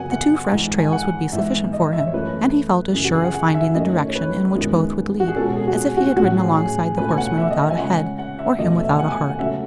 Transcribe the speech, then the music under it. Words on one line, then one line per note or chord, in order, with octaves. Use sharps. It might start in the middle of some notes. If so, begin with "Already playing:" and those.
The two fresh trails would be sufficient for him; and he felt as sure of finding the direction in which both would lead, as if he had ridden alongside the horseman without a head, or him without a heart.
Already playing: F#2 C#3 F#3 B3 F#5 G#5
F#5
G#2 E3 G#3
G#5
F#5
G#2 E3 B3 E5
D#5
E5
C#5
F#2 E3 A3 B4
F#2 C#3 E3 G#4
F#4
G#4
F#5
F#5
E5
F#2 D#3 A3 C#4 D#5
C#5
C#5
B4
F#2 D#3 G#3 B3
F#4
G#4
B2 G#3 C#4 A4
G#4
F#4
G#4
F#4
A2 F#3 C#4 F#4
G#4
G#4
B2 A3 C#4 B4
G#5
F#5
E5
D#5
E5
G#5
C#3 G#3 C#4 F#5
F#5
E5
E2 B2 A3 C#4 D#5
E5
G#5
F#5
G#5
F#5
C#3 F#3 A3 C#4 E5